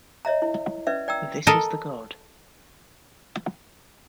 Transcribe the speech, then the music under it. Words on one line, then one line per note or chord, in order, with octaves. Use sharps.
'This is the god.
C#5 D#5 E5 A#5
E4
C#4 B4 D5 E5
D5 G5 A#5 E6
A4 A#4 D#5